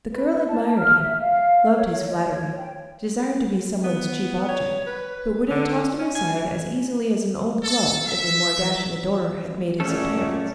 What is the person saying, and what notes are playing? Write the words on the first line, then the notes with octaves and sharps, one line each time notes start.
The girl admired him, loved his flattery, desired to be some one's chief object, but would have tossed him aside as easily as an old glove if a more dashing adorer had made his appearance.
B4
B4
A5
F6
E5
F5
C#5
D#5
C#5
G5
B3
C#5
B4
D3
C#4
G#5
E3
A4
E5
F#2 A#2 A3 C#4 G#4 A4 C#5 D5